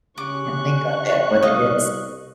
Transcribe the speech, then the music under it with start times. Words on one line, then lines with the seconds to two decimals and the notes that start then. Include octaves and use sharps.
Can't think of it, what it is.
0.18 C#3 C#4 G4 C#6 D6 F#6
1.42 C2 D#5 F5